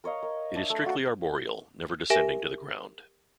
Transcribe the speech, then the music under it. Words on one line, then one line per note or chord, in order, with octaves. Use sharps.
It is strictly arboreal, never descending to the ground.
A#4 C#5 D#5 F5
A#4
D4 E5 E6
A3
F#4 D5 F5
G4 A#4 E5 G#5 A#6